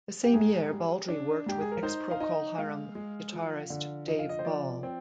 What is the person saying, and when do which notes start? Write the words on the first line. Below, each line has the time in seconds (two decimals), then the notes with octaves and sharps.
The same year, Baldry worked with ex-Procol Harum guitarist Dave Ball.
0.23 G4
0.33 G#2 G#4
0.71 G3
1.08 D4
1.46 G#2 G4
1.61 G#4
1.72 A#4
1.83 D#4 C5
2.11 F5
2.20 D#4 D#5
2.58 G#3 F5
2.95 G#3
3.32 F3
3.70 D3
4.07 F3 D#5
4.19 F5
4.29 D#5
4.39 C5
4.45 F3 D5
4.83 C4